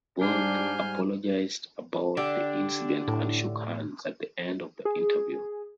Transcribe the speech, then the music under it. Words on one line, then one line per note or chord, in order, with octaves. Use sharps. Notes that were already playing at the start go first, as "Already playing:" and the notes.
Both apologised about the incident and shook hands at the end of the interview.
G#2 G3 D4 G#5 F6 G6 C7
D3 D4 G4
A2
G#4